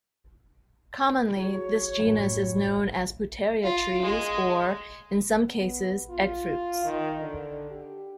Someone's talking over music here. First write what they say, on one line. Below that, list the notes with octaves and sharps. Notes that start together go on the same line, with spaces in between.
Commonly, this genus is known as pouteria trees or, in some cases, eggfruits.
F#3 G#4 C#5
F#2 A2
F4
G#3
B3
F4
D#3
D3
G4